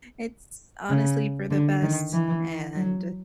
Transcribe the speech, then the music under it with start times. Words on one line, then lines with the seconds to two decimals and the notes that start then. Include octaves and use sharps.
it's honestly for the best, and
0.89 C#3
1.51 D3
1.82 D#3
2.13 E3
2.75 F#3